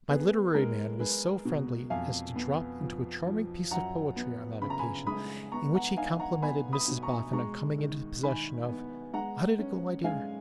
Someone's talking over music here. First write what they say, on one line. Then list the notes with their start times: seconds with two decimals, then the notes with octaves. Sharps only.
My literary man was so friendly as to drop into a charming piece of poetry on that occasion, in which he complimented Mrs Boffin on coming into possession of--how did it go, my dear?'
0.09 B3 G#4 B4
0.55 G#3 A#4
1.00 G#3 G#4 B4
1.45 B2
1.90 F2 F5 G#5
2.36 B3
2.81 F3
3.26 F3
3.71 F#2 F#5 A#5
4.16 B3
4.62 C#3 B5
4.70 A#5
4.79 G#5 B5
5.07 G#3 B5 D#6
5.52 B3 A#5 C#6
5.74 F#5 A#5
5.97 D#4 F5 G#5
6.20 F#5 A#5
6.42 B3 G#5 B5
6.73 B5 D#6
6.88 B2
7.03 A#5 C#6
7.33 G#3 A#5 C#6
7.78 D#3
8.23 D#3 G#5 B5
8.69 B3
9.14 G#3 F#5 A#5
9.59 C#4
10.04 G#3 F5 G#5